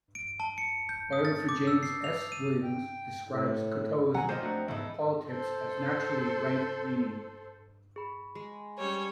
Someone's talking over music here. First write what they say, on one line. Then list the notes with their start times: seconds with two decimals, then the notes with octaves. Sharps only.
Biographer James S. Williams describes Cocteau's politics as naturally Right-leaning.
0.15 D7
0.40 A5
0.58 C#7
0.89 G6
1.13 D#6
1.25 A6
1.49 D6
1.67 E6
1.83 C7
2.04 F7
2.32 D#7
2.64 G5
3.27 A2
4.14 B2 D#3 F#3 F#5 G#5 A#5
4.29 F3 A#3 C4 D#4 F4 C5
4.42 A3 D4 F#4 F#5
4.68 E2 G#2 C#3 E3 D#4 E4 A4
5.28 A4 C5
7.96 G#4 B5
8.35 G#3
8.78 G3 C#4 C#5